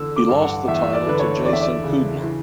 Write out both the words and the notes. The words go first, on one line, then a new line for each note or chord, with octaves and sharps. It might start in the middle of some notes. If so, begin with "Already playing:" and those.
He lost the title to Jason Kubler.
Already playing: E2 D3 E6
D6
G2
F#5
E2 E5
E5
D5
D3 B4
C#5
E2 D5
E5
D5
C#3
E3